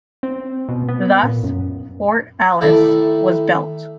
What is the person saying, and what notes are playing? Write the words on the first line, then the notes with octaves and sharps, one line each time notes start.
Thus Fort Alice was built.
C4
B2
B3
A#2
F#2
D#3 A3 E4 D5